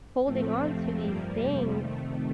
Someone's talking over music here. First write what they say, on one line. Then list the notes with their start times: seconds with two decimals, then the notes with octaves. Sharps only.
holding onto these things
0.25 A2 F3 A3 C4
0.63 F2 C3 F3 A3 C4
1.00 G2 F3 G3 A#3
1.38 F2 C3 F3 G3
1.75 F2 C3 D#3 A3